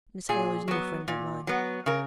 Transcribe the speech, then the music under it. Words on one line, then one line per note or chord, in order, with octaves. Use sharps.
'Miss Hale is no friend of mine.
A#2 G#4
F#3 B3
A#2
F#3 B3
C#3 A#4